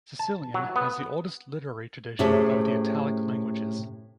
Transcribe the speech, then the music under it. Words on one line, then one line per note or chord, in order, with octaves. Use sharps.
Sicilian has the oldest literary tradition of the Italic languages.
A5
F#3
B3
A2 C3 C#4 G#4 A4